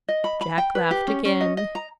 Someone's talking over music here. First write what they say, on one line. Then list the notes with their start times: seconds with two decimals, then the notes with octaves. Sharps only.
Jack laughed again.
0.08 D#5
0.24 B5
0.41 B5
0.58 G5
0.75 B4
0.91 G4
1.08 C#4
1.25 C#4
1.41 D#5
1.57 D#5
1.75 A#5